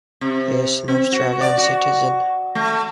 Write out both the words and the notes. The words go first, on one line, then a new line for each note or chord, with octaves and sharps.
He is an Australian citizen.
C3
C4
F#4
D5
F#4
A3